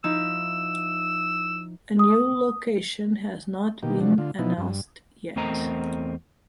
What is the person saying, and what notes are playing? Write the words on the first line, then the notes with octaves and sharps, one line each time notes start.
A new location has not been announced yet.
F3 D#4 E4 E6
D#6
B2 D#3 A#3 G4
C3 F3 F#3 D4
D3 F4
B2 F3 B3 D#4 E4
G2
E2 A3 C4 A#4 D#5 A#5